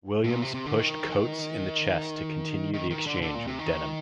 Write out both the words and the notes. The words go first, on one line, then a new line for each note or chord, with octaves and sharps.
Williams pushed Coates in the chest to continue the exchange with Denham.
A2
A#2
C3
C3
D3
D#3
D#3
D#3
D3
D3
A#2
C3
D#3